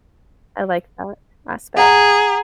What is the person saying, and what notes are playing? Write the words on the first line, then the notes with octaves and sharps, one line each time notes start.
I like that aspect.
G#4 F#5 A#5